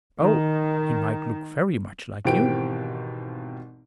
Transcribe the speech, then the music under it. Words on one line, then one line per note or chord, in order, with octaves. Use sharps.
"Oh, he might look very much like you."
D#3
G#1 B2 E3 C4 G4 D7